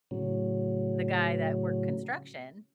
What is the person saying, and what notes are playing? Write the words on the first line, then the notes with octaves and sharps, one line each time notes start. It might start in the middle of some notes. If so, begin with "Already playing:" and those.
the guy that worked construction,
A2 C#3 F#3